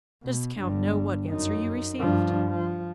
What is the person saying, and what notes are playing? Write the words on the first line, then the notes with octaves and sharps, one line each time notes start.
"Does the count know what answer you received?"
B2
G1 G2
F#2 D#4
G2 F3
F3